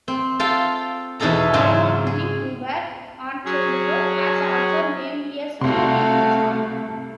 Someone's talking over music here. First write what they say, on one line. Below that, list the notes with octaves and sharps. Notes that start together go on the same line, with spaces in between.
The town of Deep River, Ontario has also named a street in his honour.
C4
F4 A4 F5 G5
E2 B2 D#4 G#4 A4 A#5
G#2 C#3 F#3 C4
G#4
F#3 C#4 G#4
C2 C3 A3 F#4 F5 C6